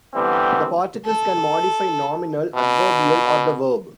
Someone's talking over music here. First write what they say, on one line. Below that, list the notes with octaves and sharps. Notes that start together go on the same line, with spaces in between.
The particles can modify nominal, adverbial or the verb.
D3 E3 G3 B3 C4
A4
B2